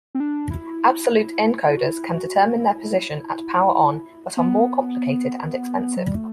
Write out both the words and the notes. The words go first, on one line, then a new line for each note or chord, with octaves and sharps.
Absolute encoders can determine their position at power-on, but are more complicated and expensive.
C4
D4
E4
E4
F#4
E4
F#4
E4
B3
F#3
G3
A3